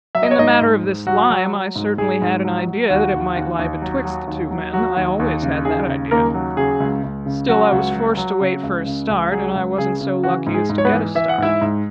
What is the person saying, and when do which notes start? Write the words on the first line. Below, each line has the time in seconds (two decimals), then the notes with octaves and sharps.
In the matter of this lime, I certainly had an idea that it might lie betwixt the two men; I always had that idea. Still I was forced to wait for a start, and I wasn't so lucky as to get a start.
0.15 F#3 E5
0.23 D#5
0.31 C#5
0.38 G#2 D#4 D#5
0.61 G#2
0.84 G#2
1.07 F#3 F#4
1.30 F#3
1.53 F#3
1.76 G#2
1.98 G#2 G#4
2.22 G#2
2.45 F#3
2.67 F#3
2.90 D#2 F#4
3.13 D#2
3.36 D#2
3.59 D#2
3.82 F#3
4.05 F#3
4.27 D#2
4.51 F#3
4.73 F#3 F#4
4.96 D#2
5.20 D#2
5.42 C#3
5.65 D#2 G#4
5.88 C#3
6.11 D#2 A#3 A#4
6.34 F#3
6.57 C#3 G#4
6.80 C#2
7.03 C#2
7.26 C#3
7.49 F#3 F#4
7.72 C#2
7.95 F#3
8.17 F#3
8.41 C#3
8.63 C#2
8.86 C#3
9.09 C#2
9.32 F#3 G#4
9.55 C#2
9.78 C#3 G#4
10.01 C#3
10.23 E3 F#4
10.47 G#2
10.54 G#4
10.70 G#2
10.78 C#5
10.85 B3 B4
10.92 E3
11.15 E3 E5
11.29 F#5
11.38 G#2 E4 E5
11.61 G#2